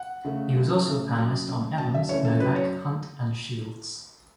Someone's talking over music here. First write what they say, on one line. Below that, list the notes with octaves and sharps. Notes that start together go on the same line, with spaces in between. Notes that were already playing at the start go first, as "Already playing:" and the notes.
He was also a panelist on Evans, Novak, Hunt, and Shields.
Already playing: F#5
C#3 A3
F#2
C#3 A3
F#2
C#3 A3
F#2 A5
E5
C#3 E3 A3 C#4 C#5
A4
F#2 B4
C#5